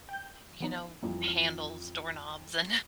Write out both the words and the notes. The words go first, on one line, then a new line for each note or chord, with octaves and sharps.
you know, handles, doorknobs, and
G5 G6
E3 B3 D#4
F2 E3 G3 G#3 A#3